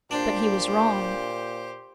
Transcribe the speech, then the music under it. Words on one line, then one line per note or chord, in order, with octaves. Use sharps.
But he was wrong.
A#2 D4 G4 C5